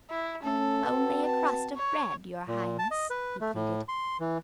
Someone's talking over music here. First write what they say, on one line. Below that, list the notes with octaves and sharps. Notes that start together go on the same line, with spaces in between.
"Only a crust of bread, your Highness!" he pleaded.
E4
A3 C#4 A4
C4 F#4 B4
A5
C#5
A#2
A5
D#5
B4
A3
A2
C6
E3